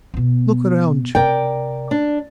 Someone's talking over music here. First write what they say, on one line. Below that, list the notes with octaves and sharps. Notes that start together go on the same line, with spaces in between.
Look around you.
B2 B3
C3 A#4 D5 G5
D4